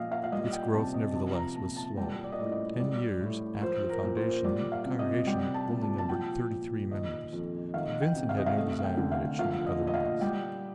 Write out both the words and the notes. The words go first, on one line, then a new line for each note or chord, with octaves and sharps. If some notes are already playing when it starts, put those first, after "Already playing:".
Its growth, nevertheless, was slow; ten years after the foundation the Congregation only numbered thirty-three members; but Vincent had no desire that it should be otherwise.
Already playing: A#2 F3 D#5 F5
F5
F5
G3 D#5
G5
C3 A5
D#5
F3 A5
A#5
A#2 A5
A5
G3 G5
D5
D#5
A2 D5
D#5
G3 D5
A2
F3 C5
A#4
A#2
C5
G3 D5
F5
C3
D#5
G3 G5
A5
A#2
A5
A5
F3 G5
A#2
D#3 D#5
F2
D#3 F5
G5
C3
F5
D#5
F5
A3
F5
G5
D3
F5
F3 F5
D#5
A#2
D#5
F5
G3 G5